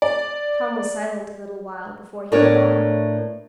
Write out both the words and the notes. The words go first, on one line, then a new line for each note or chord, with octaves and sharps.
Tom was silent a little while before he went on.
D5
A2 A3 B3 D4 A#4 C#5